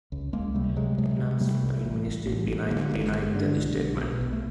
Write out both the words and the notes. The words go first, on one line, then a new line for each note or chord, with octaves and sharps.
Vietnam's foreign ministry denied the statement.
C#2
C#2 G#3 A#3
C3 G3 A3
C3 F#3 G#3
C3 F#3 G#3
C3
C3 G3 A3
C2
A1
A1
A1
A1
D3 G#3 A#3
G#1
G2
D3
B1
B1
B2
B1
A3